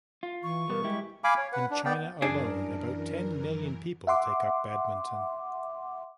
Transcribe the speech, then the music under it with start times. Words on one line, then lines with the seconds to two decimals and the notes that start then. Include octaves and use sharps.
In China alone about ten million people take up badminton.
0.23 F4
0.43 E3 C#6
0.70 B2 G3 B3 A#4
0.84 G3 G#3 E4 G4
1.24 F5 G#5 B5 D6
1.38 C#5
1.53 B4 F#5
1.70 D4
1.85 B3 D5 G5
2.22 F#2 E3 D4 G#4 A#4
4.07 E5 F#5 C6 D6